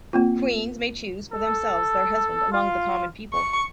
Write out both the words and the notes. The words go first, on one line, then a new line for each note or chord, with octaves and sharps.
Queens may choose for themselves their husband among the common people.
A#3 C4 F4
A4
F4
C#6